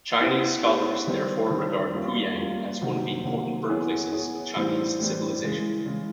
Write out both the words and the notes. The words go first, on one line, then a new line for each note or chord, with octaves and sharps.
Chinese scholars therefore regard Puyang as one of the important birthplaces of Chinese civilization.
B3 E4 G4 C5
B3 E4 G4 C5
D#3 G3 C4
D#3 G3 C4
G3 A#3 C#4 F4
G3 A#3 C#4 F4
C3 D#3 F#3 A#3
C3 D#3 F#3 A#3
B3 E4 G#4 C#5
B3 E4 G#4 C#5
A2 E3 G3 C4
A2 E3 G3 C4
C#3 E3 G#3
C#3 E3 G#3